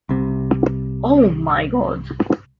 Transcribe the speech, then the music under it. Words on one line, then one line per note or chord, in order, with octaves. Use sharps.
Oh, my God!
C2 C3